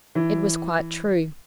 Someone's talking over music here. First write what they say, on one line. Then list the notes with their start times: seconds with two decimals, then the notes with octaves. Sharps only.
It was quite true.
0.15 E3